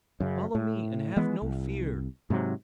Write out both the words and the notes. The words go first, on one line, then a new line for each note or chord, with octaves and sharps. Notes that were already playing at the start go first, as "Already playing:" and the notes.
"Follow me and have no fear."
F#2 C#3
A2
E3 G#3 B3
C2
G#2 C3 E3 F#3